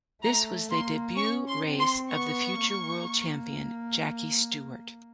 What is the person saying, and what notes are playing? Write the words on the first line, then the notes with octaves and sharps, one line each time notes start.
This was the debut race of the future world champion Jackie Stewart.
A3 A#5
A#3 C6
C#4 C#6
C6
C4
C6
B3 C#6
A#3